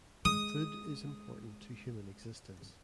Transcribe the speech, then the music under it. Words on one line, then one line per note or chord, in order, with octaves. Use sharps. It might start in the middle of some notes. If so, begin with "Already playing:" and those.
Food is important to human existence.
G#3 D#6